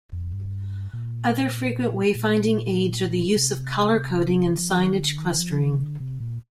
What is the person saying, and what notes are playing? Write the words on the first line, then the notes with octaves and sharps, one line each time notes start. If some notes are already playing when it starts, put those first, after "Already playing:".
Other frequent wayfinding aids are the use of color coding and signage clustering.
F2
G2
A#2
A#2
C3
D3
C3
F3
D#3
D3
D#3
F3
D#3
D3
C3
A#2